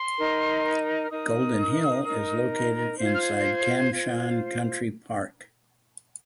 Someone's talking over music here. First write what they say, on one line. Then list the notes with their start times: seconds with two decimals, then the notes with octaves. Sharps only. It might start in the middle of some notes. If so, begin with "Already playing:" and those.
Golden Hill is located inside Kam Shan Country Park.
Already playing: C6
0.18 D#4 A#4
1.03 F6
1.10 D#4 A#4 D#6
2.04 D#4 A#4
2.97 F4 C5
3.05 G#6
3.13 F6
3.20 G#6
3.91 F4 C5